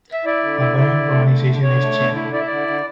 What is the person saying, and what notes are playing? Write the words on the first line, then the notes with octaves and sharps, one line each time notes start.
A variant romanization is Chin.
E5
E4 D5
D3
E4
E4
D3
A3
D3
D3
D3 C#5
A3
D3
E4
E4 D5
E5
D3 D5
D3